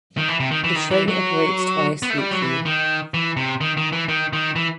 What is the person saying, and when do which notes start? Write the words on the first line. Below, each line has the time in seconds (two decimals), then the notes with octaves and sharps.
The train operates twice weekly.
0.18 D#3
0.28 E3
0.40 C3
0.51 D#3
0.64 E3
0.76 D#3
0.91 E3
1.08 F#3
2.03 B3
2.10 A3
2.18 G3
2.31 F#3
2.42 E3
2.66 D#3
3.14 E3
3.37 C3
3.61 D#3
3.77 D#3
3.92 E3
4.08 D#3
4.33 D#3
4.56 E3